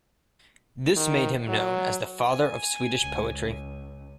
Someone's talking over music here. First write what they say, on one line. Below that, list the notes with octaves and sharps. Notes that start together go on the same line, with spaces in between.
This made him known as "the father of Swedish poetry".
D#3
F#3
G#5
C#2